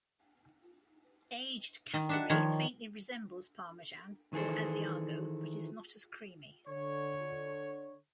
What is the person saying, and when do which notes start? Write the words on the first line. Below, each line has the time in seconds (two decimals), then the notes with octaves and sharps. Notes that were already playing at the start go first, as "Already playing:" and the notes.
Aged kasseri faintly resembles Parmesan or Asiago but is not as creamy.
1.94 D#3
2.09 D4 E5 F#5
2.30 D#3 F3 C#5
4.33 D#3 E3 G#4 A4 C5
6.68 D3 C#5